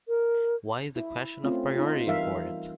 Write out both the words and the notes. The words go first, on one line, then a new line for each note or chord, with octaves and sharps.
Why is the question of priority important?
A#4
E4
A3 C4 C#4 F4
D#4 F4
E3 G3 D#4 A#4 E5 F5